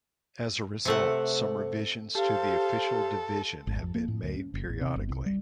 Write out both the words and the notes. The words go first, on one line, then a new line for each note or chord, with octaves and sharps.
As a result, some revisions to the official division have been made periodically.
C3 A3 F#5
G4 A4 C5 F5
G#1
F2
A#3
A2
D2
C#4
F#1
A1
C3
G1
C2
G3